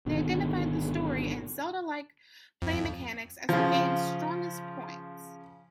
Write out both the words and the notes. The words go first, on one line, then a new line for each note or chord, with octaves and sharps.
They identified the story and Zelda-like play mechanics as the game's strongest points.
G#1 B2 D3 D#3
F2
C#3 F3